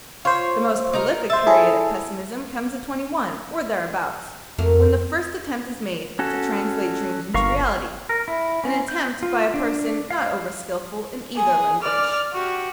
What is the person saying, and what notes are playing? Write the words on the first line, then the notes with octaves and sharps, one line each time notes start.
The most prolific period of pessimism comes at twenty-one, or thereabouts, when the first attempt is made to translate dreams into reality, an attempt by a person not over-skillful in either language.
F4 C5 C#5
D#4 A#4
C5 E5 A6
E4 G#4 A4
F2 F#3 A3 A#3
C#4 F#4 A4
G1 A#4 F5 C#6
A#4
E4
C#4
G6
F4
D4
F5
G#4
D5 F6
F#4 G4